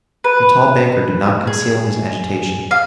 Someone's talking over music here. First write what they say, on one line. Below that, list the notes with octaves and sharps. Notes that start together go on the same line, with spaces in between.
The tall banker did not conceal his agitation.
B4
G#4
F5